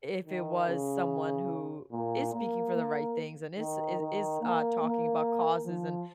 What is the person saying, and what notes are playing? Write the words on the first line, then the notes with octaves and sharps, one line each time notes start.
if it was someone who is speaking for the right things, and is is is, uh, talking about causes and
D#3
C#3
A#2
A#3
A#3
D#3
D#3
A#3
A#3
F3